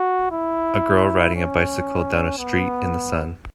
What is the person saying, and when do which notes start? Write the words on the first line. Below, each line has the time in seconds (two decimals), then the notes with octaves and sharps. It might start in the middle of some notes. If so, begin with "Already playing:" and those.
A girl riding a bicycle down a street in the sun.
Already playing: F#4
0.31 E4
1.35 C#4
2.38 B3